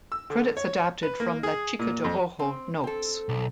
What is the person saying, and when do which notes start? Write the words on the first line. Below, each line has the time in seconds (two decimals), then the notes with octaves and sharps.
Credits adapted from "La Chica de Rojo" notes.
0.12 E6
0.30 D3
0.57 C#5
1.03 B4
1.20 A#3
1.43 G#4
1.79 A#2
2.04 F2
2.39 C4
2.84 C4 A4
3.29 B1